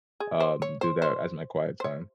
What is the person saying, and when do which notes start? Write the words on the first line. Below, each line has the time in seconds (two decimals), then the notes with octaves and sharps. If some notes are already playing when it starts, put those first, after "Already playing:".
um, do that as my quiet time,
0.20 G#4
0.40 C5
0.62 C#5
0.81 C5
1.02 C5
1.80 C5
1.84 C#5